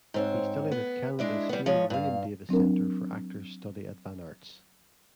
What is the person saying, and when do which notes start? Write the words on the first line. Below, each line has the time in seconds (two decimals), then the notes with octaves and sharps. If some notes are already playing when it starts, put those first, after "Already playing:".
He studied at Canada's famed William Davis Centre for Actors Study at VanArts.
0.14 G#2 C4 C#5
0.72 B3
1.19 G#3 D4 E4
1.49 G3 B3
1.66 F3 G#3 C#5
1.90 G2 F5
2.49 F#3 C4 D4 A#4